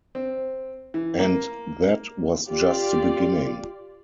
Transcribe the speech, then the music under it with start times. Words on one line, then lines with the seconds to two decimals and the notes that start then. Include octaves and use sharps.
And that was just the beginning.
0.15 C4
0.94 E3
1.19 A#3
2.49 F4 G4 D5